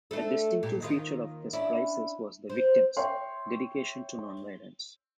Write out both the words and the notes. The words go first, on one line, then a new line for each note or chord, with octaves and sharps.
A distinctive feature of this crisis was the victims' dedication to non-violence.
A3 D4 A4
A#2 G4
D#2 D#3 F4
C#4 D4 E4
C4
C#5 E5 G5 C6